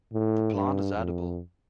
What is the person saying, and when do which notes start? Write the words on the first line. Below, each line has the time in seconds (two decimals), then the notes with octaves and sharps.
The plant is edible.
0.13 A2
0.55 G2
0.96 F2